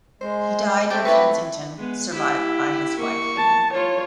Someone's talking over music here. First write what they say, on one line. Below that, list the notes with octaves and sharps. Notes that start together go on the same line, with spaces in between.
He died in Kensington, survived by his wife.
G#3 C5
A3 C4 D5 G5 A5
E4 B4 A5 C#6
G#3 B3
E4 G4
A#3 C#6
A5
F4 C#5